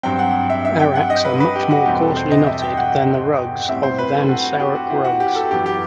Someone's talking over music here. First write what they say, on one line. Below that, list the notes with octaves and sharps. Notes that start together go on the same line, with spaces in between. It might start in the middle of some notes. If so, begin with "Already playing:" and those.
Araks are much more coarsely knotted than the rugs of than Sarouk rugs.
G2 F#3 C4 G5
F#5
E5
E5
G5
F#5
D#5
B4
B4
G4
F#4
E2 B2 G3 C4 G4
A4
C5
D#5
E5
G5
F#5
A2 G3 C4 E5
C5
B4
A4
F#4
F#4
G4
F#4
E4
F#4
G4
A4
F#2 E3 B3 G4
G4